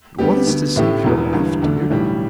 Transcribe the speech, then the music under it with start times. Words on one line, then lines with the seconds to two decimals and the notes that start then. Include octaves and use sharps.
"It was to save your life, dear."
0.18 D2 D3 G3 B3 G4
0.47 D2 D3 B3
0.76 A1 A2 A3 E4 G4
1.04 E1 E2 E3
1.33 G1 G2 E3
1.62 D2 D3 A3 D4
1.90 B1 A2 E3 G3